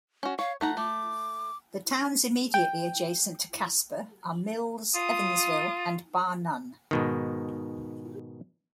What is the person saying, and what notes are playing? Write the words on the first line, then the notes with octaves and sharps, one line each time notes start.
The towns immediately adjacent to Casper are Mills, Evansville, and Bar Nunn.
C#4 F#4
C#5 F5
A3 D#4 F#5 A#5
A3 D6
G5
F4 D#6
G#2 B2 D#3